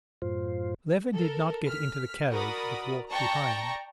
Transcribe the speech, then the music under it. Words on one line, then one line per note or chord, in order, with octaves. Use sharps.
Levin did not get into the carriage, but walked behind.
F#2 A2 F4 C5
A4 A#4
F6 B6
F#4 A#4 D5 B5 D#6
D5 G5 A5 A#5 C#6 A#6